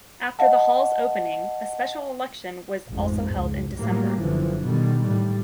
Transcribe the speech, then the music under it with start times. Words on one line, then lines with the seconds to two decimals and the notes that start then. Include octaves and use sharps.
After the Hall's opening, a special election was also held in December.
0.39 D#5 F5 F#5 A5
2.89 A1 F2 G#2
3.33 C#2
3.75 A2 F#3 G3 A#3
4.21 F#1 D3 E3 F3
4.64 B2 D3 D#3 G3
5.06 A2 G3